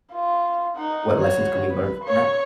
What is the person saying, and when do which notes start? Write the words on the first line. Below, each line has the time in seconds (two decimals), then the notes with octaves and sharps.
what lessons could we learn from that?
0.13 F4
0.76 D#4 F#5
1.19 F#4 C#5
1.71 B4
2.04 C#5 C#6